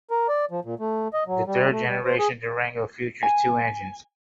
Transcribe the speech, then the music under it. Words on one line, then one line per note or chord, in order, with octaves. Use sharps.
The third-generation Durango features two engines.
A#4
D5
F3
A#2
A3
D#5
F#3
G3
A3
G3
C5
G#4
G#5